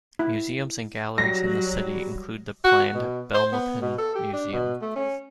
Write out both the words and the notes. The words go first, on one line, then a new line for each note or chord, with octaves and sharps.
Museums and galleries in the city include the planned Belmopan Museum.
E4
F#3 G3 A#6
F#4
B2
C5
B3
B2
A4
G4
D4
B2
A3
C#4